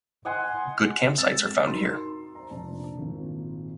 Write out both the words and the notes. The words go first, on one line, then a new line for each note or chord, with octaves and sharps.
Good campsites are found here.
D#5 F#5 G#5 C6
G#3 C4 E6 A6 E7
D#4 F#4 A#4 C6
C5 A#5
F1 A#2 D4 A5
G#1 A#2